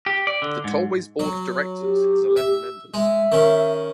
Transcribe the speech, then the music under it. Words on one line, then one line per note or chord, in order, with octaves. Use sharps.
The Tollway's board of directors has eleven members.
G4
D5
D3
G#2
F#3
G4
E5
G#3 E5
D#3 C#4